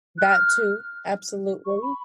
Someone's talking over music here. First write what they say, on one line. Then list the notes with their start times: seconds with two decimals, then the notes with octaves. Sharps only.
That too, absolutely.
0.18 F#6
0.24 F6
1.66 C#6
1.82 B5